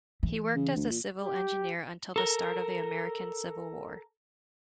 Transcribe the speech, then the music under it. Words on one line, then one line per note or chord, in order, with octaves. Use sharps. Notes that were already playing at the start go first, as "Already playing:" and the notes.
He worked as a civil engineer until the start of the American Civil War.
E3
C#3
D2
A#2
G4
A4 A#4